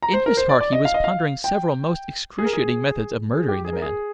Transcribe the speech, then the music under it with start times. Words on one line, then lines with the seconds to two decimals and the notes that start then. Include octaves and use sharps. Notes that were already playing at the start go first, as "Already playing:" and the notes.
In his heart he was pondering several most excruciating methods of murdering the man.
0.03 A#5
0.14 C5
0.26 A#4
0.37 C5
0.49 D5
0.60 D5
0.72 D#5
0.85 F5
0.94 D#5
1.04 F5
1.44 G5
2.38 G#4
2.46 A#4
2.53 G#4
3.33 G#4
3.48 G4
3.65 G#4
3.73 A#4
3.82 G#4